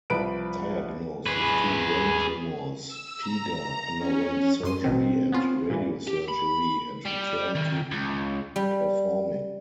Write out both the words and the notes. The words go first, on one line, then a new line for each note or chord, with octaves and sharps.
Diagnosed with two brain tumors, Fieger underwent surgery and radiosurgery and returned to performing.
C2 F3 B4 B5 D7
G#4 B4
E6
A#5
C#4
F#2 C6 D#7
A1 B2 D#3 C4
B3 C#4 F4
A#2 E3
G4
B5
G3
D#3
C#2
G3